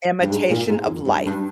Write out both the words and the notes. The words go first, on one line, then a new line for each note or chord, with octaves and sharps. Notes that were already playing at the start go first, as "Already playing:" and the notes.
Imitation of Life.
G2
G#2
A#2
G#2
F2
G2
G2